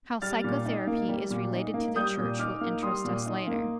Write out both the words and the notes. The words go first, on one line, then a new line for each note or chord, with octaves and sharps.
How psychotherapy is related to the church will interest us later.
G3 F6 A6
A#2
D#4
A#3
G3
A#2
D#4
A#3
G3 D#6 G6
A#2
D#4 D6 F6
A#3
G3 C6 D#6
A#2
D#4
A#3